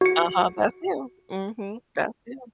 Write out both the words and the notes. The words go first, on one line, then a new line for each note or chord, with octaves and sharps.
Uh-huh, that's him. Mhm. That's him.
F#4 C#7